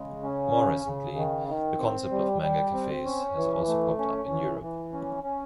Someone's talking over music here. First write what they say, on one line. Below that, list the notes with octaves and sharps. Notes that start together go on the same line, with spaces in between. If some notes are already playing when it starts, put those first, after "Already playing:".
More recently, the concept of manga cafes has also popped up in Europe.
Already playing: C#3 G#3
C#4
C#3
C#3
D#3
D#3
C4
G3
G3
C4
C#4
E3
A3
C#4
E3
E3
C#4
C#4